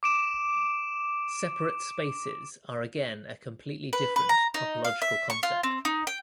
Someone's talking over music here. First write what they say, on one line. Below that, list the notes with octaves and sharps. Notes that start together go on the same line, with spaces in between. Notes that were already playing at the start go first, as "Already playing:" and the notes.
Separable spaces are again a completely different topological concept.
D6 D7 E7
B4
B4
A#5
D#4
F5
E5
C#6
F4
C4
D#4
G5